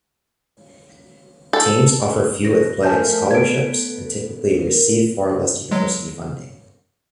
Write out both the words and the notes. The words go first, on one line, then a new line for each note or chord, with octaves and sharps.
Teams offer few athletic scholarships and typically receive far less university funding.
A4
B2 A#6
F3 A3 A#4 G#5 A5 G6
B3 A4 G#6 D7
G#4 A#4
F#3 G#3